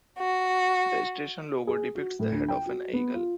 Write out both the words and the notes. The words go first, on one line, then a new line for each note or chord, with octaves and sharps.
The station logo depicts the head of an eagle.
F#4
G#4
F#4
A2
D2
G5
F#4
B3
F4